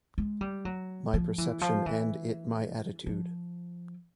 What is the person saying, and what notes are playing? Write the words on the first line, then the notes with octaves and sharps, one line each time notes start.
My perception and it my attitude.
G#3
G3
F#3
F3
E3
F3
E3
F3